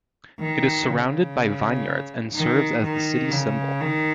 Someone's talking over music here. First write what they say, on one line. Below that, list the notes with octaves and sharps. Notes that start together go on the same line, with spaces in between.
It is surrounded by vineyards and serves as the city's symbol.
D#3
C#3
D#3
D#3
C#3
D#3